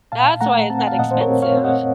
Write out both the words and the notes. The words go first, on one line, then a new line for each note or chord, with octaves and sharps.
that's why it's that expensive."
A#2 F5 A5
A3 F#5 A#5
C4 A5
F#5
F5 A5
A#2 D#5 F#5
C5
A#4 C#5
C4
C#5 F5
C4
D#5 F#5